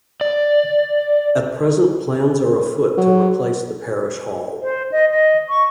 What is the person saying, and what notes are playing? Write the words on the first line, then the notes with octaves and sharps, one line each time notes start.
At present plans are afoot to replace the parish hall.
D5
F#3
C5
D#5
D#5
C#6